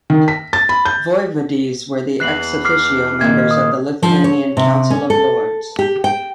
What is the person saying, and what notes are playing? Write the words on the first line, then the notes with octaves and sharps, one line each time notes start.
Voivodes were the "ex officio" members of the Lithuanian Council of Lords.
D#3
B6
A6
B5
G6
E2 E3 F#6 C7 F#7
D6 F6 C7
A#2 D#3 G#6
D#6
F3
C#5
C3
C#4
A4
G4
G5